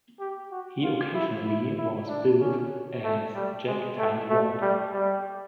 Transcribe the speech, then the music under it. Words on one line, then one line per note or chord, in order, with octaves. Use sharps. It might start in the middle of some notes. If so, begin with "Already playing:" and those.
He occasionally was billed as Jack "Tiny" Ward.
G4
F#4
F4
E4
E4
E4
D4
C#4
A3
G3
G#3
A3
A3
G3
G3